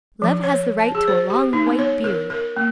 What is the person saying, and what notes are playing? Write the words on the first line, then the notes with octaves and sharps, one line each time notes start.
Love has the right to a long white beard.
F3
C#5
A5
G#4
C5
G4
D#4
B3
C#5
A#4
A#4
A#3